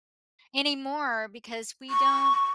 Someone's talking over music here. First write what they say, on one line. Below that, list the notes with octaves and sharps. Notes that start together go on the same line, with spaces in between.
anymore, because we don't
C#6